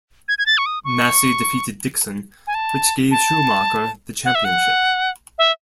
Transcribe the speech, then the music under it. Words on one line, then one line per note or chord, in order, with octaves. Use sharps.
Massey defeated Dixon, which gave Schumacher the championship.
G#6
G#6
A6
C#6
D#6
C#6
G#5
A5
A5
F#5
E5
F#5
E5